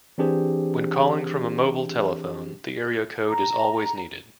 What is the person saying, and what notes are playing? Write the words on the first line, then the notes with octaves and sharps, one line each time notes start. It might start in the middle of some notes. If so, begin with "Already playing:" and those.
When calling from a mobile telephone, the area code is always needed.
E3 C4 D4 G4 G#4 C5
A#5